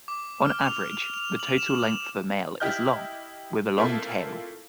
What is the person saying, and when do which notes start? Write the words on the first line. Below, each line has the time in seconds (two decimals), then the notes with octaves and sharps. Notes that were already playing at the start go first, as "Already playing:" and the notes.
On average, the total length of a male is long, with a long tail.
0.08 D6
0.44 F6
0.64 F7
0.82 F6
1.14 F7
1.39 F#7
1.58 E7
2.60 E4 G4 D#5 F6 G6
3.77 A3 A#3 C4 E4 F4 A4